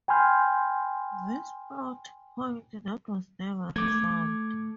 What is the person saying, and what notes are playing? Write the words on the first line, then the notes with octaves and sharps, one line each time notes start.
This plot-point that was never resolved.
G5 G#5 B5 C6 F6 G6
A3 D6 G#6